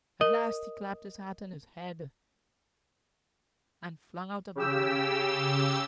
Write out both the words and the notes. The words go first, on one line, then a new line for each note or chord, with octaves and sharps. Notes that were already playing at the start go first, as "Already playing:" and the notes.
At last he clapped his hat on his head and flung out of the room.
A#4 D#5
C#3 G4 E6